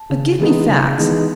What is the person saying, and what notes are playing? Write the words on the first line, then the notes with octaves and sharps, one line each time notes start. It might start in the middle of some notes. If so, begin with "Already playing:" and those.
But give me facts.
Already playing: A5
C#3
E3 G#3 B3 D#4
C#3
E3 G#3 B3 D#4